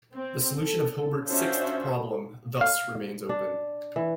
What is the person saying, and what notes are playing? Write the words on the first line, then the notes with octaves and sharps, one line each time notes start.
The solution of Hilbert's sixth problem thus remains open.
C4
A4
C#4 D4 F4 F#4 C5 E5
F5
D4
E3